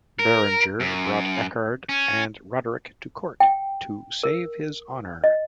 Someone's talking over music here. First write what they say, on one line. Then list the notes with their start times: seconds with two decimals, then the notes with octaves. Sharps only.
Beringer brought Eckert and Roderick to court, to "save his honor".
0.19 A#4
0.80 F#2
1.89 C#4
3.40 G5
4.23 A#4
5.24 D#5